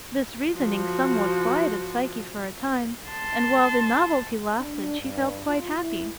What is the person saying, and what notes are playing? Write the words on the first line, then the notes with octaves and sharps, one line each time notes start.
This reasoning somewhat quieted Psyche for a time, and while the novelty lasted she felt quite happy.
F3 F#4
A5 C6
D4
G2
F4
E4